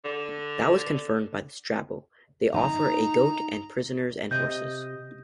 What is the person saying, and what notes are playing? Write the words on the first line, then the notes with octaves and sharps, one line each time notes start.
That was confirmed by Strabo: "They offer a goat and prisoners and horses".
D3
D#4 A#5
C3 D#5 G6